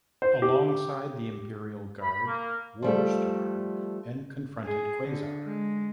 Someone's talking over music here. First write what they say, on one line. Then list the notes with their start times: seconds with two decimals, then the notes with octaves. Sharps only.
Alongside the Imperial Guard, Warstar then confronted Quasar.
0.22 C5
0.42 G4
2.02 B5
2.27 A#3
2.82 F3 G3 A3
4.65 G#4
5.07 D3
5.45 G#3